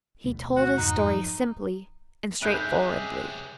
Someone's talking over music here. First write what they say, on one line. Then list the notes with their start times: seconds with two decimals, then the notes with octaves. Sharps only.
He told his story simply and straightforwardly.
0.24 D2 B2 A3
0.56 F#4
0.77 F2 G#2 F#3 D#4
1.07 F3
2.42 C#2 C3 G#3 E5 F#6 G6